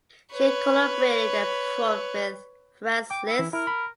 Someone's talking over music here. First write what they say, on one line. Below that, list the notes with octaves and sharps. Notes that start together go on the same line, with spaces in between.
She collaborated and performed with Franz Liszt.
B4 C#5
G5 D6
E4
E3
E4 A#4
B5